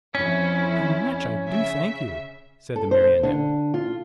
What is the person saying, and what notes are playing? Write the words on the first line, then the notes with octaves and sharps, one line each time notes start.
"How much I do thank you!" said the Marionette.
F2 C#4 E4
C#3 E5
A4
C5
D3
F4